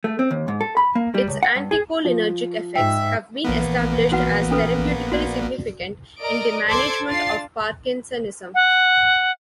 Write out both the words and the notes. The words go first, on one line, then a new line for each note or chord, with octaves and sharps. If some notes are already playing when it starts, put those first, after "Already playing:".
Its anticholinergic effects have been established as therapeutically significant in the management of Parkinsonism.
A3
C4
D#2
G#2
A4
B5
A#3
G3
C#2
F#5
G2
G#4
F3
G#2 E5 G5
A#1 E3 A#3 B3
F#4 B4 F#5
C#4 A4 B4
F#4 D5
A#4 D5 D#5 D7
A4 C5 C6 D6 G#6
D4 F4 A6 C7
F#5